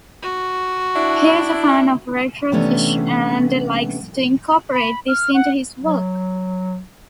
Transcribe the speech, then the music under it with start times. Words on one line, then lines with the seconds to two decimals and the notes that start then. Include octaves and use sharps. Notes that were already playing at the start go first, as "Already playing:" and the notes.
He is a fan of retro-kitsch and likes to incorporate this into his work.
0.22 F#4
0.96 D4 E4
2.52 C3 E3 A3 B3 C#4 D4
4.73 B5
5.08 F6
5.34 F#5
5.82 F#3